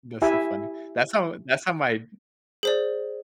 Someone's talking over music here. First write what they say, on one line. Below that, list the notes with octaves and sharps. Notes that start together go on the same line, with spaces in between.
That's so funny, that's how that's how my
E4 G4 E5 G#5 B5
G#4 C5 D5